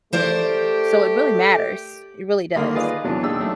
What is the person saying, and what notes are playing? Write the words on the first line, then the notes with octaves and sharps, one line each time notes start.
So, it really matters. It really does.
A3 G4 A#4 C5 D5
D3 D#3 G3 A#3
F4 G#4 B4 D5 D#5 F5
E2 C3 E3 F#3 D4
A#2 G#3 D4 D#4 G4 E6
F#3 A3 D4